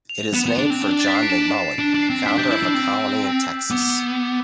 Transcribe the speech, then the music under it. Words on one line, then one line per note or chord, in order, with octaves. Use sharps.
It is named for John McMullen, founder of a colony in Texas.
F7
B3 E7
B3
D4
C4
D4
A6
B6
C7
D7
E7
E7
D4 D7
D4
C7
C4
C7
D4 B6
D4 G6
E4 E6
D4 E6
C4 E6
B3 D6